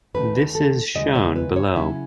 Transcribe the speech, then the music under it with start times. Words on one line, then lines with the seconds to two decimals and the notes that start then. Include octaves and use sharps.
This is shown below.
0.14 D#2 D#3 A3 C#4 B4
0.55 A4
0.95 D#2 C#3 E3 G#3 D#5
1.15 C#5
1.36 B4
1.56 C#5
1.76 C#3 F#3 C#4 E4 E5